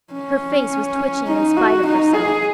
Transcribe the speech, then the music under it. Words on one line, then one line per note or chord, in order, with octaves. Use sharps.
Her face was twitching in spite of herself.
C#4
D#4
F#4
D#4
G#4